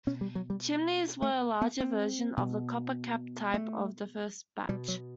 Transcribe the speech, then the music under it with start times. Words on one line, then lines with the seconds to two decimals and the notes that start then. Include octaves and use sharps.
Chimneys were a larger version of the copper-capped type of the first batch.
0.07 B2 C#4
0.21 G3
0.35 F#3
0.50 G3
1.22 A3
1.62 B3
1.80 C4
2.37 B2
3.54 A3
4.69 B2 G3
4.88 F#3